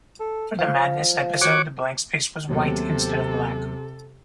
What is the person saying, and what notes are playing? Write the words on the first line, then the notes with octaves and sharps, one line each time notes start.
For the "Madness" episode, the blank space was white instead of black.
A4
F3 F5
F#4 C#5 D6
D#2 C3 F#3 B3 A4